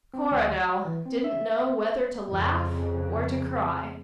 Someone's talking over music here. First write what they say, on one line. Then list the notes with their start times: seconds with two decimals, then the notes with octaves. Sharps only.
Coronel didn't know whether to laugh or to cry.
0.14 C4
0.31 D2
0.61 F#4
0.85 E3
1.06 C4
1.24 E5
2.28 F2 C#3